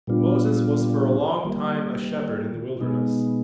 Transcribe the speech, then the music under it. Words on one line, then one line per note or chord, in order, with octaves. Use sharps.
Moses was for a long time a shepherd in the wilderness.
A#2 G3 B3 D4 F4
D#3 G3 A#3
B2 G#3 B3 D#4